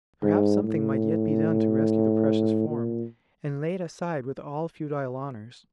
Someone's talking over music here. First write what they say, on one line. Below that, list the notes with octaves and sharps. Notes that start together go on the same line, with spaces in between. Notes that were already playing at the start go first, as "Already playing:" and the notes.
Perhaps something might yet be done to rescue the precious form, and lay it aside with all futile honours.
G#2
A2
A#2